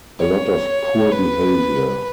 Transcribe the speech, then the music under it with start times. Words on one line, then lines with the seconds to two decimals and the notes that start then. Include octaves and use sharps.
A lot of poor behavior.
0.20 C#5
1.12 B4